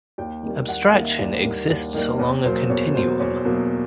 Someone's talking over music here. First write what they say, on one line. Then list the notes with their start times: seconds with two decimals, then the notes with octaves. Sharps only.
Abstraction exists along a continuum.
0.18 D#2 G5
0.43 D#3 G3 A#3
0.68 D#2 F#5
0.85 F5
0.93 D#3 G3 A#3
1.01 E5
1.18 D#2 D5
1.44 D#3 G3 A#3
1.69 D#2
1.94 D#3 G3 A#3
2.19 E2 C#5
2.44 B2 F#3 A#3 C5
2.69 E2 C#5
2.95 B2 F#3 A#3 C5
3.20 E2 C#5
3.45 B2 F#3 A#3